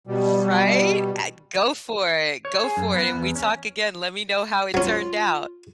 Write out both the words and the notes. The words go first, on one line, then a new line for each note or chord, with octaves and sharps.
Right? Uh, go for it. Go for it. And we talk again, let me know how it turned out.
B2 G3
C#5
G#4
F#2
B3
E2
C#4
F#3 C#4 F4